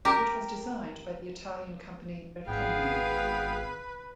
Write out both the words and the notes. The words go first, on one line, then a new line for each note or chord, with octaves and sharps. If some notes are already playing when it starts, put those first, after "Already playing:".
It was designed by the Italian company Bertone.
G4 A#4
G#1 B3 G#4 B4 F5 G5